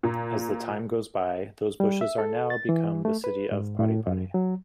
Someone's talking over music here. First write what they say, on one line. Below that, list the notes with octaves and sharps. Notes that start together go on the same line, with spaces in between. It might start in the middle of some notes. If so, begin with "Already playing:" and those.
As the time goes by, those bushes are now become the city of Parepare.
A#2
G3
E5
A4
A6
E3
A3
B4
G#2
A2
F#2
F#3